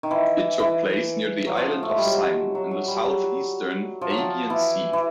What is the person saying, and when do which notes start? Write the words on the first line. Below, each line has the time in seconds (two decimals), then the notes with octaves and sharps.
It took place near the island of Syme in the south-eastern Aegean Sea.
0.03 D#3
0.11 E3
0.60 E3
1.46 F#3
1.57 F3
1.83 A3
1.90 G#3
1.98 G3
2.06 F#3
2.55 F#3
2.71 F#3
2.88 G3
3.04 F#3
4.01 F3
4.10 F#3
4.18 F3
4.50 E3
4.93 E3